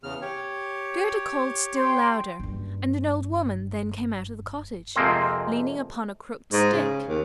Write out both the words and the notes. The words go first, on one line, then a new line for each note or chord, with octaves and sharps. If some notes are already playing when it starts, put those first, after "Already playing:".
Gerda called still louder, and an old woman then came out of the cottage, leaning upon a crooked stick.
E2 C#3 F6
G4 C#5
G5 C6
F#1 G2
F2 C3 G#3 A#3 C4 C5
G#2
C#3
D#2